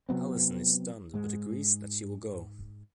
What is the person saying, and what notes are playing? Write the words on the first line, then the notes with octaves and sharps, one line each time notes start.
Alison is stunned but agrees that she will go.
C3 F#3 B3 C4
G#2 G#3